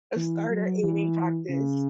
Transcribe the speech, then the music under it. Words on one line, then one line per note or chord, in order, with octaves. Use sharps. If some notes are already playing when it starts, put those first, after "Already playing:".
a starter aiming practice.
E3
F#3
E3
C#3